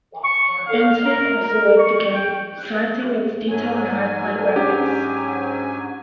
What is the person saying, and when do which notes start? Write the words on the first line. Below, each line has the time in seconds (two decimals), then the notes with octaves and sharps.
"Antic" also liked the game, citing its "detailed and lifelike graphics".
0.24 C#6
0.67 F5
1.05 A#4
1.42 A#4
1.78 C#6
2.14 G5
3.49 G#2 F#3 G#5
4.56 C#4 D4 G4 G#4